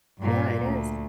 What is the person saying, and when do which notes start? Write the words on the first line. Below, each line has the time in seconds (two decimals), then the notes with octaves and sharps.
Yeah, it is.
0.19 G2 A#2
0.63 D2